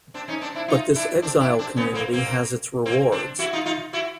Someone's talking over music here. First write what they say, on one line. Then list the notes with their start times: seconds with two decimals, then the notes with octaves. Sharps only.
But this exile community has its rewards.
0.14 C4 D4
0.28 C#4 D#4
0.41 C4 D4
0.55 D4 E4
0.68 D#4 F4
0.95 D4 E4
1.22 C4 D4
1.40 D4 E4
1.59 C4 D4
1.77 B3 C#4
1.94 A#3 C4
2.13 A#3 C4
2.85 A#3 C4
3.12 C4 D4
3.39 E4 F#4
3.53 D#4 F4
3.66 D#4 F4
3.93 E4 F#4